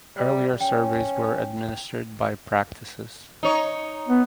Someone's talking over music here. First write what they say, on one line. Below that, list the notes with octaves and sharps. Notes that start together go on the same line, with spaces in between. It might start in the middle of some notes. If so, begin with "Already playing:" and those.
Earlier surveys were administered by practices.
G3
C#4 G5
D#4 C#5
B3